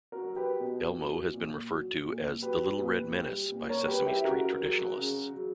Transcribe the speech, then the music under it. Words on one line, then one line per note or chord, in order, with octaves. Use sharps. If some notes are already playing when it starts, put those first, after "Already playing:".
Elmo has been referred to as the "Little Red Menace" by Sesame Street traditionalists.
F#4 A#4
F#3
G4 B4
B2
F#3
A#2
F#3
A#2
F#3 G4 B4
A#2
G3
A#2
A#4 C#5
G3 G4 B4
E4 G4
C#3 F#4 A#4
F#3
C#3
F#3